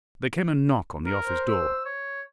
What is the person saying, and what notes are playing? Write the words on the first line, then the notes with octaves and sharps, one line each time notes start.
There came a knock on the office door.
A#4
C5
E6
C#5